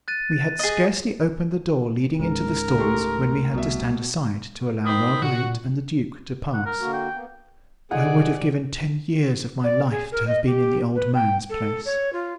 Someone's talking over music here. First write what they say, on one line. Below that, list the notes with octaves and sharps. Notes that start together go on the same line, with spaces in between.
We had scarcely opened the door leading into the stalls when we had to stand aside to allow Marguerite and the duke to pass. I would have given ten years of my life to have been in the old man's place.
F#6 A6 D#7
G#4 D#5
C#2 G#2 A#4
A2 A3 G4 A4 C6 C#6
C2 B2 E5
D#3 C4 B5 D#6
A#2 F#4
F#5
A#4
D3 A#3 F#4
G5
A#3 B3
C3 D#4 F4 G#4 A4 D5 F#5
D5
G#4
A#4
D#5
G4
B4
G5
A4
C#5
F4